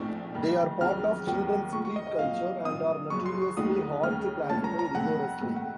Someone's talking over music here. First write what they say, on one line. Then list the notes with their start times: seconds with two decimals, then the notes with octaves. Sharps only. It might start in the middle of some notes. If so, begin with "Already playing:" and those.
They are part of children's street culture, and are notoriously hard to classify rigorously.
Already playing: A#1 A#2 A3 C4 D#4 C#6
0.34 F1 F2 D#3
0.81 D#2 C#3 F#3 C4 F#4 F6
1.27 D#2 D#3 F#3 C4 F#4
1.73 C#3 F3 A3 C#6
1.85 C#6
1.96 D#5
2.07 D#5
2.19 A#2 F#3 C4 F5
2.65 A#2 F#3 C4 D#6
3.10 F#1 F#2 C#3 F#3 C#6
3.26 C6
3.42 C#6
3.57 D#2 C#3 A3 D#4 F#4 D#6
4.03 D#2 C#3 A3 C#4 F6
4.49 C2 A#2 F3 A3 C#4 A5
4.64 A#5
4.79 A#5
4.94 F2 C3 D#3 A3 F#5
5.41 C3 D#3 A3
5.56 F#5